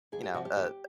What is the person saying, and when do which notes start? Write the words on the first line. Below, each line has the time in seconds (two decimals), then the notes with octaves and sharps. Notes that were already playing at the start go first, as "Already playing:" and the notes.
you know, a
0.12 D2 G#4
0.23 G4
0.34 C3 F3 F#4
0.45 G4
0.56 D#2 G4